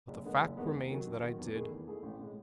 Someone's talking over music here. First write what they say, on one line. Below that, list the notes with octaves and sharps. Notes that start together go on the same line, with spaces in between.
But the fact remains that I did.
F#1
E2 D#3 G#3 B3
F#1
E2 D#3 G#3 B3
D#2
D#3 F#3
D#2
D#3 F#3
E2
D#3 A3 E4 G#4
E2
D#3 A3 E4 G#4
A1
A2 G#3